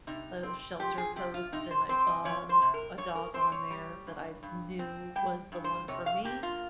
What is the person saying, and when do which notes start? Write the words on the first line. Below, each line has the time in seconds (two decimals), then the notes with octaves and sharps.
a shelter post, and I saw w a dog on there that I knew was the one for me.
0.07 C3 D#4
0.43 C4
0.79 F3 G4
0.98 G#4
1.16 C3 G4
1.34 F4
1.52 C3 D#4
1.71 C5
1.89 C4 C5
2.07 D#5
2.25 F3 C#5
2.49 C5
2.62 C3
2.74 A#4
2.98 G2 C#5
3.15 A#4
3.34 C4 C5
3.52 C#5
3.71 G3
4.07 G2
4.43 G2
4.79 C4
5.16 G3 G5
5.52 G2
5.64 C5
5.88 C3 C#5
6.06 F5
6.24 A#3 G4
6.43 F4